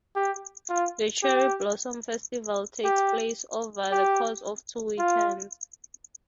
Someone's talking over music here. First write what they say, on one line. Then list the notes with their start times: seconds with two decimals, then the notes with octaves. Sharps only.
The Cherry Blossom Festival takes place over the course of two weekends.
0.16 G4
0.69 F4
1.23 G4
2.84 G4
3.92 G4
4.99 F4